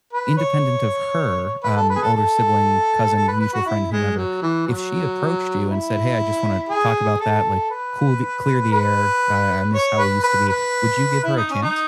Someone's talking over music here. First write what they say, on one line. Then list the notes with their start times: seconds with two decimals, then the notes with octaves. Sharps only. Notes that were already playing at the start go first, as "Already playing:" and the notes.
independent of her, um, older sibling, cousin, mutual friend, whomever, if she approached you and said, "Hey, I just wanna talk about that, like, cool the clear the air, uh, I I miss how we used to be." Would you give her a chance?
0.13 B4
0.37 C#5
1.64 B4
1.76 A4
1.89 B4
1.95 G#4
2.02 A4
2.14 A4
3.16 A4
3.28 B4
3.41 B4
3.54 F#4
3.66 E4
3.92 G#3
4.16 F#3
4.42 E3
4.67 F#3
5.68 E4
6.69 G#4
7.20 A4
7.71 B4
8.72 B4
9.73 C#5
9.98 B4
10.23 B4
10.49 B4
11.24 E4
11.37 D#4
11.50 C#4
11.62 D#4